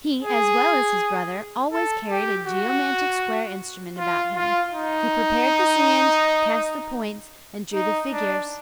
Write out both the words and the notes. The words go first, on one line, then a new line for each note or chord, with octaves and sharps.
He, as well as his brother, always carried a geomantic square instrument about him; he prepared the sand, cast the points, and drew the figures.
G#4
A4
G4
F#4
F4
F4
D#4
D#4
D4